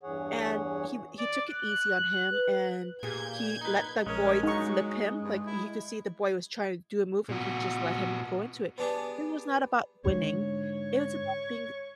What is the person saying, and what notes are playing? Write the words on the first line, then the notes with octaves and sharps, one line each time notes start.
and he he took it easy on him, and he let the boy flip him, like, he could see the boy was tryna do a move, he just let him go into it. It was not about winning, it was about being
E2 G2 E3 G#4 C#5 F#5
D5
F#6
B4
A#2 G4 G#4 G6 G#6
D#4 B4
A#1 G#3 C#4 A#4
F#3 D#4 G#4 C#6
G2
E4
A#2 F#4
B3 D4 G4 G#4
G#2 D3 C#5